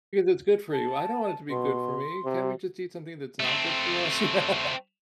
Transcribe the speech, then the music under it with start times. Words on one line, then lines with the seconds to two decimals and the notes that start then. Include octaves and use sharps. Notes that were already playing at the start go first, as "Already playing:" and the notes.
it's good for you." "I don't want it to be good for me. Can't we just eat something that's not good for us, you know?"
0.73 A5
1.50 B2 C6
2.25 C3
3.40 A3 C4